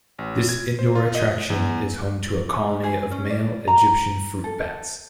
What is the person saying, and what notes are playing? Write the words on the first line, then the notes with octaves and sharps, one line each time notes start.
This indoor attraction is home to a colony of male Egyptian fruit bats.
A1
G#6
C5
F4
D#5
E2
G#4
C#4
D5
A#5
A4